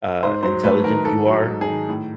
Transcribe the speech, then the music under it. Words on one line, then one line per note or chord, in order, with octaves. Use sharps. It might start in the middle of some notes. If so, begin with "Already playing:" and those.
uh, intelligent you are.
G#2 C5
F#3 C5
A3 B4
D#3 A#4
G#2 A4
F#3
G#2
G#4
D#3
A2